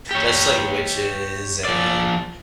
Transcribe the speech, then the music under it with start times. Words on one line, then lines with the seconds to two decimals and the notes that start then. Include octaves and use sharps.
just like witches and
0.11 G4 C#5
1.65 F3 D5